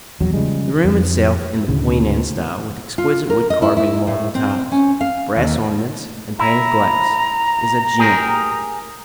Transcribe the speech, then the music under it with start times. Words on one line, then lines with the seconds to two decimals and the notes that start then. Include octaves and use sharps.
The room itself in the Queen Anne style, with exquisite wood-carving, marble tiles, brass ornaments, and painted glass, is a gem.
0.21 A#1 E2 F#3
0.34 C#3 F3 G3 G#3
0.85 F2
1.68 D2 A2 C#3
2.98 F4
3.30 A#4
3.50 D#5
3.62 E4
3.77 E4
4.07 A2
4.35 C4
4.72 C#4
5.01 F5
5.36 D#2
6.39 E4 A#5
7.99 G4 G#4 A#4